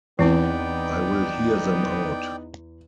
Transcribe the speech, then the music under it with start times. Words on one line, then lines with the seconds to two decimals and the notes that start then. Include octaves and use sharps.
I will hear them out.
0.19 E2 E3 B3 C4 D#4 E4 D5 G5